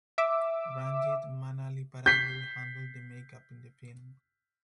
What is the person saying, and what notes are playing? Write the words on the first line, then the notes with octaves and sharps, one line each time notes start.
Ranjit Manaliparambil handled the makeup in the film.
E5 D6 E6
G6 B6 C7